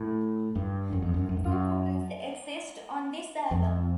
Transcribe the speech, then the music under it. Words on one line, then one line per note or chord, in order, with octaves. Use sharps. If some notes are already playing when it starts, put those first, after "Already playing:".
Two covers exist on this album.
Already playing: A2
G2
F#2
F2
F#2
F#2
G2
F#2
F2